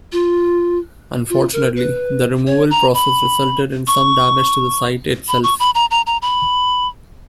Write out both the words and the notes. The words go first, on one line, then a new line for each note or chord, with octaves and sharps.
Unfortunately, the removal process resulted in some damage to the site itself.
F4
F4
A#4
B4
C#5
A#5
B5
C#6
B5
C#6
B5
A#5
A#5
A#5
B5